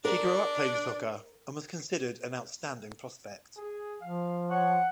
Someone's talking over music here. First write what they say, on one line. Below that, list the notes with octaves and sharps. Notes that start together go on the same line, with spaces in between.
She grew up playing soccer and was considered an outstanding prospect.
D4 A#4
G#4
F3 F5
C#5 F#5